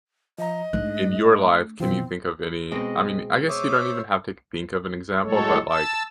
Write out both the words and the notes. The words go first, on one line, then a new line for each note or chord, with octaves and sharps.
in your life, can you think of any I mean, I guess you don't even have to think of an example, but, like,
F3 D#5 A#5
G#2 A3 D4 F#6
F2 B2 E3 F3 C4 F4
B2 G#3 C4 D#5
C5 C#5 E5 D6 D#6
A2 F#3 G#3 A3 A4 C#5
A5 E6